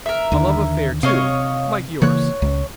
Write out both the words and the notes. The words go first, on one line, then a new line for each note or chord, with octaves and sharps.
A love affair too--like yours.
A#4 E5
D#2 D3
C3 C#5 D#5 F5
C#3 E3 A#3 C#5 F#6
C#2